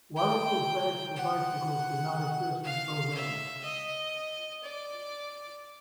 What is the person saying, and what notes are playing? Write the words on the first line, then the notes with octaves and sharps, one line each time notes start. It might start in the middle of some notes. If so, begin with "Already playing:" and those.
Waterproof bags for bicycles did not exist until then.
G5
F#5
F5
E5
D#5
D5